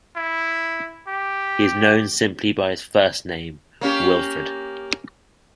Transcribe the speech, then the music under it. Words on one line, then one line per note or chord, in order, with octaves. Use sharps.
He is known simply by his first name, Wilfred.
E4
G4
A#3 C#4 G4